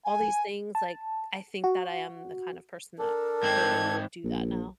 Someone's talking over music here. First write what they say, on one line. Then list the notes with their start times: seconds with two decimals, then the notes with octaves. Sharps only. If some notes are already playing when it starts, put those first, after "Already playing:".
all these things, like, I think that I am the kind of person that could and would do that now.
0.05 G#5
0.75 A5
1.64 F#4
2.99 D4 A4 A#4
3.43 G#2 C4 G#6
4.24 A#1